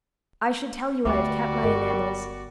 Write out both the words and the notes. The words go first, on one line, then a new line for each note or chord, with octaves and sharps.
I should tell you I have kept my enamels.
D2 G3 F#4 B4 D5 E5 D6
G1 A#4